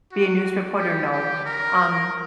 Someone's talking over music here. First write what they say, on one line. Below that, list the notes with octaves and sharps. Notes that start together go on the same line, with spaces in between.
Be a news reporter, no, um,
F#4
G4
G4
A#4